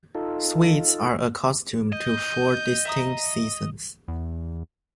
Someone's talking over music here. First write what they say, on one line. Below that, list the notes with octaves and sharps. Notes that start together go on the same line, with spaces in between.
Swedes are accustomed to four distinct seasons.
D#4 F4 A4
D#5 G6
E5 A#5 D#6
E2